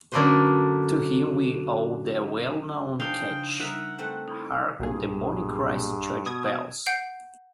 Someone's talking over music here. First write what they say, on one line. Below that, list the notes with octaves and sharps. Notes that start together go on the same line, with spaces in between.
To him we owe the well-known catch, Hark, the bonny Christ Church bells.
F#2 D3 A3 A#3 B4 C5
F3 D4 D#4 F5 G5 G#5 C6
C#3
G3 D#4 A#4 E5 F#5
A3 C4 C5
D#4 E4
B1 G2 A#2 G#4
B2 D#6 G#6
F#5 G6 C7 D7